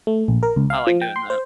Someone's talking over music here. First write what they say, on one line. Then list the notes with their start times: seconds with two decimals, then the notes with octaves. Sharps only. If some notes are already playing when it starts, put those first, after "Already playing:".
I like doing that.
0.07 A3
0.28 A#1
0.43 A#4
0.56 C#2
0.70 F5
0.87 F3
1.01 G5
1.16 C6
1.30 C5